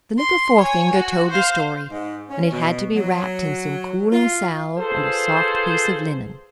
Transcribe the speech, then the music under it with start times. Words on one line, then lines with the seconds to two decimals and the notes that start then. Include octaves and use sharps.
The little forefinger told the story, and it had to be wrapped in some cooling salve and a soft piece of linen.
0.18 C6
0.59 C#5 G#5
0.93 F#4
1.31 C5 F5
1.90 G#2
2.29 C#4
2.51 B2
2.95 F#3
4.12 F4
4.78 F4 G#4 A4 B4 C5